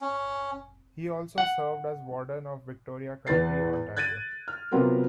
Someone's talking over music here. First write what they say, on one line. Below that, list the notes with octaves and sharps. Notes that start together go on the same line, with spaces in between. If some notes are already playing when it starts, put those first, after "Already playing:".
He also served as Warden of Victoria County, Ontario.
C#4
F#5
E2 B4 A6 C7
F#6 G#6 A6 D7 D#7
F6
C3 F#3 B3 F4 A#4